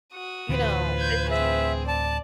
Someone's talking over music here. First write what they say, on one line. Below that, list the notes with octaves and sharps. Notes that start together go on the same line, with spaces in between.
you know? It's just
F#4 D#6
D2 A2 E3 F4 B4 C5
G6 G#6
C4 G#4 E5
D5 A5